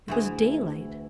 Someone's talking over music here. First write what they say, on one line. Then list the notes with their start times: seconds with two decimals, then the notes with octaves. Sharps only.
It was daylight.
0.08 D2 E3 G#4